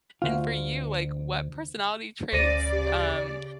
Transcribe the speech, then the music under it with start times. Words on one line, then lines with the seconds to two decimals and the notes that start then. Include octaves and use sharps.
And for you, like what personality traits, um,
0.22 D2 F4
2.33 D2 C#3 C5 D5 A#6 D#7
2.72 G4